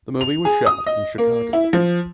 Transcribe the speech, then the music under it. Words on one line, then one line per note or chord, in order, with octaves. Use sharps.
The movie was shot in Chicago.
F7
G#4
D#6
D#5
A#3
E4
F3